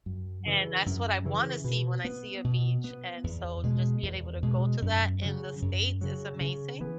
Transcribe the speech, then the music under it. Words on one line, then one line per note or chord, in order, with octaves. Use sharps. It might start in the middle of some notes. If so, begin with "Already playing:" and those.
and that's what I wanna see when I see a beach, and so, just being able to go to that in the States is amazing,
F#2
C#3 E3
F#2
C#3 E3
B2
B3
B2
B3
E2
B2 G#3
E2
B2 G#3
F#2
C#3 F#3
F#2
C#3 F#3
C#3
E3 B3